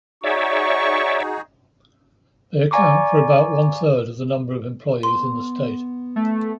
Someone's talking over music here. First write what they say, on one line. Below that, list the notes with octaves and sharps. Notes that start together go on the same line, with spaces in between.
They account for about one-third of the number of employees in the state.
D#4 F#4 G#4 C#5 D5 E5 C#6
D5 F5 G#5 A#5 C#6 D6
B3 C6
A3